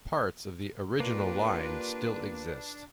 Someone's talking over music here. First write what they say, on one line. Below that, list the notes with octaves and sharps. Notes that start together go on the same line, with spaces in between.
Parts of the original line still exist.
A#3 D4 F4 G4 B4